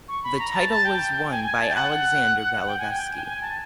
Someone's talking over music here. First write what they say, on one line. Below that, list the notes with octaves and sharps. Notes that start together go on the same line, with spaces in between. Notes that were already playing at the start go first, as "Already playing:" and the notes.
The title was won by Alexander Beliavsky.
C#6
B5
A#5
A5
A5
G5
G#5
G#5
A5
G5
F#5
G5
G#5
G5
G#5
G#5
A5